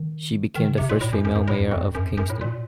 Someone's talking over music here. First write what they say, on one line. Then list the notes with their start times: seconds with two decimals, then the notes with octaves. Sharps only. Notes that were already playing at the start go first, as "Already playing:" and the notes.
She became the first female mayor of Kingston.
Already playing: D#3
0.55 D#3
0.66 C#3
0.78 C3
0.89 A#2
1.01 A2
1.13 F#2
1.25 F#2
1.35 F#2
1.48 A2
1.59 F2
1.71 F2
1.82 F#2
1.95 F#2
2.05 F2
2.17 F#2
2.30 A2
2.41 A#2